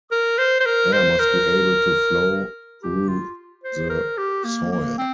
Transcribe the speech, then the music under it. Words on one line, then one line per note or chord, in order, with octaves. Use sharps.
Air must be able to flow through the soil.
A#4
C5
C5
A#4
C5
A#4
G4
F4
C5
A#4
G4
A#3
A#3
C4